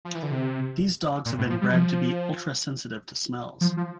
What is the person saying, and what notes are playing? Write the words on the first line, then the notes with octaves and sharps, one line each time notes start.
These dogs have been bred to be ultra sensitive to smells.
F3
E3
D3
C3
A#2
A2
F3
G3
F3
F3
F3